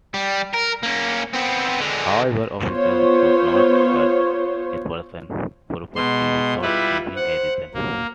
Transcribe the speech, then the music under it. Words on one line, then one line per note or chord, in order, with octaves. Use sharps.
However, officers could not search a person's property without giving a reason.
G3
A#4
A#3 C#4
B3 C4
D3 G#3
B3 F4 C5 C#5
B2 G#3 C6
G3 E4 F4 B4
C5 F#5
F#3 A#3